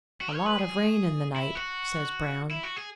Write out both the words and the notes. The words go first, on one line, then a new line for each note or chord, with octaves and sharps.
"A lot of rain in the night," says Brown.
F#4
C#5
B4
G#4
E4
F#4
E4
F#4
G#4